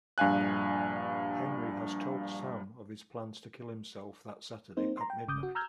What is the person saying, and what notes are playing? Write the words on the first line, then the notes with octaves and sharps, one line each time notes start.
Henry has told Sam of his plans to kill himself that Saturday at midnight.
A#1 G2 F5 G#5 F#6
A#3 C4 D#4 C5
A#5 C6
G5
G1 C#3 D6 D#6 G6
F#4
A#5 E6 F6 G6 G#6